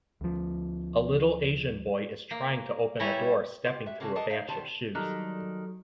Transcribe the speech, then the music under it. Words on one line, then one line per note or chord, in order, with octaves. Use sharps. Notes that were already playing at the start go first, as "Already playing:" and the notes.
A little Asian boy is trying to open a door stepping through a batch of shoes.
D2 F3
A#3
G3 E4 C#5 G#5 A#5
F4 G4
F#4 E5
C#3 E3 A#3 C#4 F#4 A4
G4 G#4 A#4 D#5 F#5 A5
D#4 F5
B2 D#3 G3 B3 C5 A5
D#3 F#3 G3 A4 D5 A#5 F#6